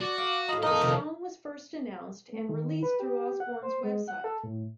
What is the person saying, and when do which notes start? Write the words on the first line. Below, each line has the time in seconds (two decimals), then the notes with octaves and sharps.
The song was first announced and released through Osbourne's website.
0.01 F#4 D5
0.18 F5 D6
0.48 A2 D#5 F5 A#5
0.63 F2 A#2 D#4 A#4 D#5 A#5
0.81 C3 D#3 F3 A3
2.32 A3
2.49 D#3
2.83 B4
3.00 G4
3.40 F#5
3.63 C5
3.84 G#3
4.08 F#5
4.24 A4
4.44 A2